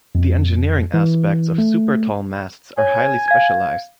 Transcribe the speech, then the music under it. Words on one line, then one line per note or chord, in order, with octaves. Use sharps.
The engineering aspects of super-tall masts are highly specialized.
F2
E3
A3
C#5 G#5
F5 G#6